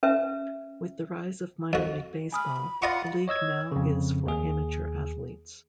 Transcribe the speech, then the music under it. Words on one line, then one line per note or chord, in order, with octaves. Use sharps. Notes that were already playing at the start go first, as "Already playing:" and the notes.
With the rise of Minor League Baseball, the league now is for amateur athletes.
C#4 B4 E5
F2 F#4 D#5
G#5 B5 D#6 F6
F4 D5 D#5 F#5 C#6
C#5 D#5 E6 G#6
F2 C#3
D#2 G#4